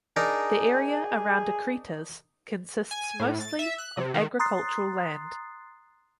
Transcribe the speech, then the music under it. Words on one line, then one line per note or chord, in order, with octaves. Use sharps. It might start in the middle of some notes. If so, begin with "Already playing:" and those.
The area around Akritas consists mostly of agricultural land.
D4 D#4 G#4 A#4
G#5
A2
A6
E5
F#6
C3
D#3
A#5 C6 D#6 F#6 A6 C7